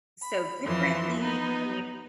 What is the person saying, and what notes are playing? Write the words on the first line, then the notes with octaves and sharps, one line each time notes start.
so differently," and you
B5
F2 E3 F3 C6
B3 D#4 B4